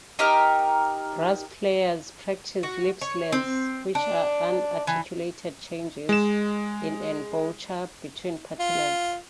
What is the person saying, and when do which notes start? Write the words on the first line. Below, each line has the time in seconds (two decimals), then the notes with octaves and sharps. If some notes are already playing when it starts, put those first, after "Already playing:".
Brass players practice "lip slurs", which are unarticulated changes in embouchure between partials.
0.19 D#4 G4 A#4
2.63 F#4
3.01 C#5
3.32 C4
3.95 D4
4.87 E3
6.09 G#3 E7
8.60 F4